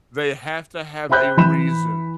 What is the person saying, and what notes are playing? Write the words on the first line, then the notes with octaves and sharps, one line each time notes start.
They have to have a reason
C5 E5 G5 B5 F#6 G6
E3 B5 E7